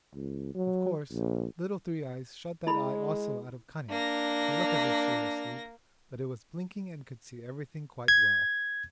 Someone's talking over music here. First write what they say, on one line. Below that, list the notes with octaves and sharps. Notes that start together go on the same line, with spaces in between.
Of course Little Three-eyes shut that eye also out of cunning, to look as if she were asleep, but it was blinking and could see everything quite well.
C#2
F#3
A#1
G#3 E4 B5
A#3 D4 A#6
G#6